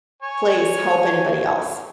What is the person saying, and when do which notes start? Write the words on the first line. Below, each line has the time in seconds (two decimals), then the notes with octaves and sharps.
place, help anybody else.
0.22 C#5 G#5